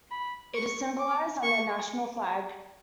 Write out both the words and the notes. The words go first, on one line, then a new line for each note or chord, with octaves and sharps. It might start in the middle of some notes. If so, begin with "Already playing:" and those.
It is symbolised on their national flag.
B5
C#6
D6
C#6